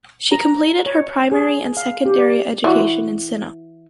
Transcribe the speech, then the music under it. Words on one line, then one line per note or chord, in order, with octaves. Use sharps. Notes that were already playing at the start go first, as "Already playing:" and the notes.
She completed her primary and secondary education in Sinop.
A#5
C#5
G#4
F5
G4
D5
E3 F#4